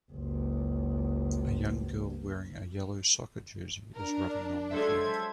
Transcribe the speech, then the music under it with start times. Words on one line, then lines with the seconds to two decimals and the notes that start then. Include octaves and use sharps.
A young girl wearing a yellow soccer jersey is running on a field.
0.12 F#1 C#2
3.95 D4 A#4
4.71 F#3 G#3 A4 C5 E5 G#6